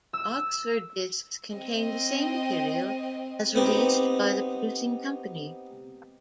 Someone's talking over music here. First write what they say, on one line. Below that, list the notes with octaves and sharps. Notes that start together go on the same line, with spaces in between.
Oxford discs contain the same material as released by the producing company.
E6
C4 D#5
B3 C4 D#4 G4